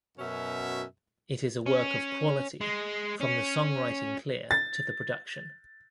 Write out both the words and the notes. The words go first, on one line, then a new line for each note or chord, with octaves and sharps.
It is a work of quality, from the songwriting clear to the production.
F#2 B2 C#4 E5
C#4
G#3
C#4
A6